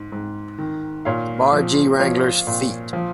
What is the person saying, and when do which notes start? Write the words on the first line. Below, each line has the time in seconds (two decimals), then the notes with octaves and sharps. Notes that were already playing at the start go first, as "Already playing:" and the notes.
The Bar G Wranglers feat.
Already playing: G#2
0.12 G#2
0.58 D#3
1.05 A#2 C#5 F5
1.53 F3
1.99 F3 C#5 F5
2.47 A#2
2.93 F3